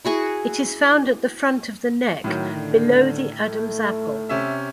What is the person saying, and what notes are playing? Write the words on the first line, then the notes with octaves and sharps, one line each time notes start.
It is found at the front of the neck, below the Adam's apple.
E4 F#4 G#4 C#6
A2 D#3 F#3
D3
A3
C3 C#4 E5